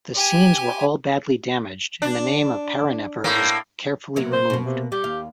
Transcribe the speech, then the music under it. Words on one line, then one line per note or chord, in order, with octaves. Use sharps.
The scenes were all badly damaged and the name of Parennefer was carefully removed.
G4 G#5
D4
A2 A#3
C3 F#3 A#3
C5
B2 A#3
C3
G3 G4
D#2 F5